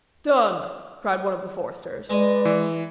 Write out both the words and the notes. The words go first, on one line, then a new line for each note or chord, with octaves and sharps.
"Done!" cried one of the foresters.
G#3 B4 D5 D#5
E3